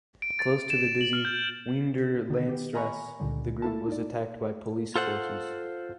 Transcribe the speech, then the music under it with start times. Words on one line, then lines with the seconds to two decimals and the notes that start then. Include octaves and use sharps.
Close to the busy "Weender Landstrasse" the group was attacked by police forces.
0.22 D7
0.39 A6
0.70 E7
1.01 F#7
1.13 F6
1.25 G6
2.30 D3 D#3
2.49 B3 G4
2.74 D#5 G#5 A#5 B5 C#6
3.20 C#2 A#2 D3 G3
3.62 A3 A#3 E4 A4 A5
3.88 D#4 D5
4.96 F4 A4 C5 F#5